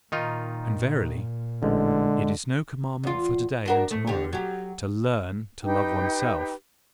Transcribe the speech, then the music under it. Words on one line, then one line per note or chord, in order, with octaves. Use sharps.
And verily, it is no commandment for to-day and to-morrow to LEARN to love oneself.
A#2 D#3 D#4 F4
A1 D3 G#3
E2 F4
D4 F#4 A#4
A3
D3 G4
F#3 G4
D#4 G4 B4 G5